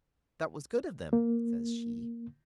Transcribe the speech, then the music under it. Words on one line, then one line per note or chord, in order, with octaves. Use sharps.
'That was good of them,' says she.
A#3